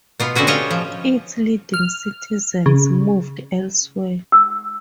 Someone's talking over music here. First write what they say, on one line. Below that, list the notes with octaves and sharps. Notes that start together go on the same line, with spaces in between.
Its leading citizens moved elsewhere.
B2 B3 F4
D3 C4 C#4 F#4 B4
F4 G4 C#5 D#5
F3
F6
C#3
E6